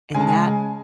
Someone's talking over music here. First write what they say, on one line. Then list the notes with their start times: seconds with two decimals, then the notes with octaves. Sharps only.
And that
0.14 C#3 G#3 G#5
0.21 A5
0.29 G#5